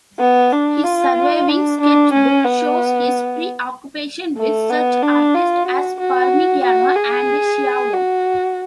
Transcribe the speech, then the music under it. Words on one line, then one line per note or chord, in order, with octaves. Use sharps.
His surviving sketchbook shows his preoccupation with such artists as Parmigianino and Schiavone.
B3
D4
F4
D4
D4
C#4
B3
A3
B3
D4
F4
F#4
F#4
F#4
G#4
F#4